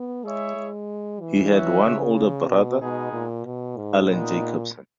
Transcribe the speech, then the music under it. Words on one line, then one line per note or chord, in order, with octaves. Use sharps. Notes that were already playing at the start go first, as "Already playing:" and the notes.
He had one older brother, Allen Jacobson.
Already playing: B3
G#3 E4 G#4 C#5 E5
G#3
E3
F#4 C#5 E5
C#3
B2
B2 G#3 B3 D#4 G#4
A#2
B2
G#2
A#2 G#3 B3 D#4